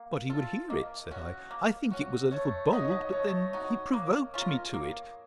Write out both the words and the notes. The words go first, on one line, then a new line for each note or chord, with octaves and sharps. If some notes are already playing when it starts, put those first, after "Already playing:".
But he would hear it! said I: I think it was a little bold; but then he provoked me to it.
Already playing: A#3
F4 A4
A#3 D#5
C#4 F#4
A#3
C#4 F#4
A3 C#5
D#4 F#4 D#5
C#5
D#5
A3 C#5
D#4 F#4
A#3
C#4 F4 A#4
A#3